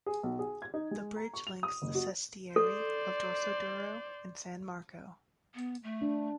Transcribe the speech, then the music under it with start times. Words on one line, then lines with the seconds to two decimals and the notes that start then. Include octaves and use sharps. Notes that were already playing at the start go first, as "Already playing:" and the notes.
The bridge links the sestieri of Dorsoduro and San Marco.
0.06 G#4
0.23 B1
0.39 G#4
0.62 G#6
0.74 D#4
0.91 G#3
1.16 A#5
1.34 C#6
1.47 F7
1.63 D#6
1.82 F#1
1.95 F#4
2.56 A4 C5 D5
5.55 B3
5.83 A3
6.02 D4